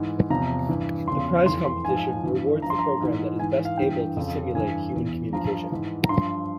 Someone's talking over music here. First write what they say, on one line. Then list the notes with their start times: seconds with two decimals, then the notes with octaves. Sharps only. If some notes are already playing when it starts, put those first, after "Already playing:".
The prize competition rewards the program that is best able to simulate human communication.
Already playing: G#2 E3
0.30 E2 C3 F3 A#5
0.69 G2 E3
1.07 E2 C#3 F3 C6
1.46 F2 E3 C6
1.65 C6
1.84 G#2 F3 G#5
2.23 G2 E3
2.62 G2 A#5
2.66 F3 C6
2.79 A#5
3.01 G#2 E3
3.39 G#2 G#5
3.42 E3
3.65 F5
3.77 G2 E3 G5
4.17 F2 C#3 F3
4.55 G2 E3 G#5
4.94 E2 E3
5.33 G2 F3 A#5
5.71 G#2 E3
6.04 A#5
6.09 G2 F3 C6